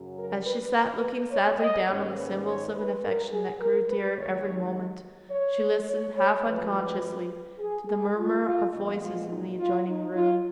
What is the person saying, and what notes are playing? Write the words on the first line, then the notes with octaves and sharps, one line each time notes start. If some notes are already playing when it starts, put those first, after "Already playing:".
As she sat looking sadly down on the symbols of an affection that grew dearer every moment, she listened half unconsciously to the murmur of voices in the adjoining room.
Already playing: F#2 C#3 F#3
A#4
B4
B4
C#5
D#5
G#2 D#3 A#3 C#4 C#5
B4
C#5
B4
A#4
G#4
A#4
B4
D#2 D#3 G#3 C#5
C#5
C#5
C#5
F#2 F3 G#3 B4
G#4
G#4
F4
F4
A#2 F3 G#3 B3 D#4
F4
D#4
F4
D#4
F4